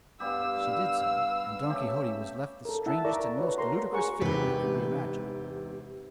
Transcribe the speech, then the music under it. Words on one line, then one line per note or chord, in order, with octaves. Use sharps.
She did so, and Don Quixote was left the strangest and most ludicrous figure that could be imagined.
G2 B3 G4 F5 E6
C#3 A3 G4
A4 A#4
E4 E5 F#5 A5
E4 A#4 D5 E5 A#5 C#6
F#4 B4 C#5
A#4 A#5 C6
F#4 G#4 A#4 F#5 G#5 C#6
E2 G#2 C3 G4 B4